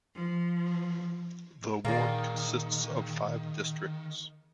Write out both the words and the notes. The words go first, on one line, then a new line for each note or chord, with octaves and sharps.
The ward consists of five districts.
F3
A#2 D#3 A#3 G#4 D5